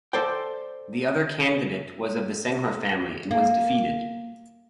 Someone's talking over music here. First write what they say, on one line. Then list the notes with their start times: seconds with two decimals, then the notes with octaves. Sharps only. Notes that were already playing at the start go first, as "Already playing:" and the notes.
The other candidate was of the Senghore family and was defeated.
0.13 A4 C5 D5 G5
3.31 A#3